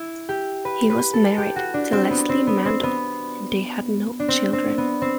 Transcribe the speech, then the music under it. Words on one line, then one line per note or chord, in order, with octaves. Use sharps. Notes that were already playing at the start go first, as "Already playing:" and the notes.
He was married to Leslie Mandel and they had no children.
Already playing: E4
G4
B4
B4
A4
G4
F#4
D4
C4
B3
C4
B3
C4
B3
D4
C4
C4
B3
C4